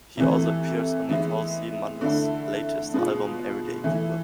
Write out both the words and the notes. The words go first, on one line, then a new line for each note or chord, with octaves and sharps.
He also appears on Nicole C. Mullens' latest album, "Everyday People".
C3 E3 A3
E3 G#3 B3 E4
D3 A3 E4
B2 G#3 B3 F4
E3 A3 E4